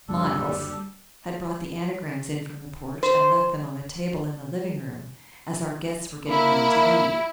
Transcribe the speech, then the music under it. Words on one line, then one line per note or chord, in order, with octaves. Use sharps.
Miles--had brought the anagrams in from the porch and left them on a table in the living room, as our guests were getting ready to leave.
F#1 D2 G3 D4 A4
C5
A#3 E4